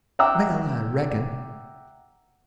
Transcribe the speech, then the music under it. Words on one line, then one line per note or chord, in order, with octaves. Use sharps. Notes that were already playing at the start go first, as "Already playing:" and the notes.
Well, I reckon!
E5 F#5 G5 A#5 D6 E6